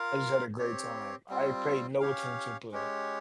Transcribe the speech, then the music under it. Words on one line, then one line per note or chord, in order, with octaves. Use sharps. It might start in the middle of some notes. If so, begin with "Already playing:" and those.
I just had a great time, I paid no attention to play."
Already playing: F4 A#4 F5
C4 G4 C#5
G3 C4 F4
C#4 G4 C#5 F5
G#3 C#4 G4 C#5